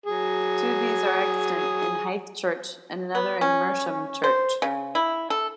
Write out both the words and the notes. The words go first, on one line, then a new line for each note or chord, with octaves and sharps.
Two of these are extant in Hythe church, and another in Mersham church.
F#3 G#4
B3
C#4
C5
C#3
E4
A4